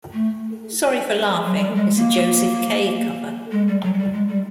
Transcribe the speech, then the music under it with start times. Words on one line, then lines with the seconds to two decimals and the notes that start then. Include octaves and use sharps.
"Sorry for Laughing" is a Josef K cover.
0.13 A3
1.45 F#3
1.55 G3
1.75 G#3
1.96 A#3
3.52 G#3
3.68 G3
3.83 F#3
3.93 G#3
3.98 G3
4.13 G#3
4.28 G3